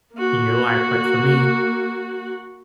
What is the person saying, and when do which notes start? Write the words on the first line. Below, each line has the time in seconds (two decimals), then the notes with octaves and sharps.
in your life, like, for me,
0.15 A#3 F#4